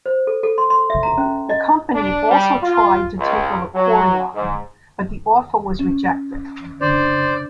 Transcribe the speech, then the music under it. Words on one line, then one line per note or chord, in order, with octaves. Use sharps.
The company also tried to take over Chorion but the offer was rejected.
C5
A4
A4
C6
C6
E5
A#5
C#4
D#5
D4
G3
F4
C#2
F#3
G#2
C#4
D4 C5 D5